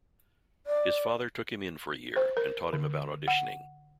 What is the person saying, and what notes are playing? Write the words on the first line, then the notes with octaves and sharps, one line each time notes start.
His father took him in for a year and taught him about auditioning.
D5
C5
A#4
D3
F#5